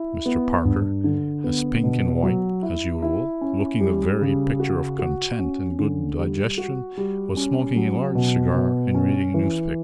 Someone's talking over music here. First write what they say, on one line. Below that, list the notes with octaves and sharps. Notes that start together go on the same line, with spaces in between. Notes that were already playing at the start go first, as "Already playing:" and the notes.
Mr. Parker, as pink-and-white as usual, looking the very picture of content and good digestion, was smoking a large cigar and reading a newspaper.
Already playing: E4
B3
G2
D3
B3
B2
F#3
E4
E4
C#4
G3
C#3
F#4
F#4
C#4
D3
G3
F#4
G3
C#4
F#3
B2
B2
C#4
E3